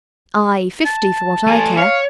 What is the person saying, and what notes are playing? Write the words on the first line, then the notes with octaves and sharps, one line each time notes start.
Aye, fifty, for what I care.
A5
A3 G#5
C#5 F5